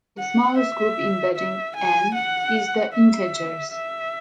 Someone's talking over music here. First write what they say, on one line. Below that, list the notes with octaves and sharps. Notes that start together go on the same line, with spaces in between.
The smallest group embedding N is the integers.
F#5
E5
E5
G#5
F#5
E5
E5